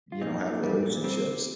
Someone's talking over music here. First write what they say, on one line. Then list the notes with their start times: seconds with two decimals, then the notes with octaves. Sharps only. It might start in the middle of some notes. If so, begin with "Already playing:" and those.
you know, have relationships.
0.12 F4
0.21 A#2 D#4
0.43 A#2
0.63 G3
0.83 A#2
1.04 G3 C4